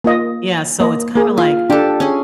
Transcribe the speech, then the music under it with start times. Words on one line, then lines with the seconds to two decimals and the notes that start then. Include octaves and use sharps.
Yeah, so it's kinda like
0.04 A#3 F4 D#5
0.80 A#3 D#5
1.15 A#3 G#4
1.38 F4
1.70 D4 G4 A4
2.00 C#4 G#4